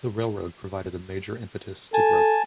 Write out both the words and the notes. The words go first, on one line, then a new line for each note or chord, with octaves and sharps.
The railroad provided a major impetus to growth.
A4 G#5 A5